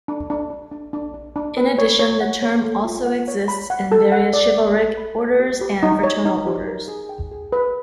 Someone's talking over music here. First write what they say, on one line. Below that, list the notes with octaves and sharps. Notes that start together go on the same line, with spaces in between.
In addition, the term also exists in various chivalric orders and fraternal orders.
D4
D4
D4
D4
D4
D4
D4
B4
C#5
C#5
F#5
C#5
A4
F4
F#5
C#5
B5
F#5
A4
F#5
D5
D5
A4
B5
C#5
G4
G4
D#4
C#5
D#4
G4
A#4
G#4
G5
G#4
B4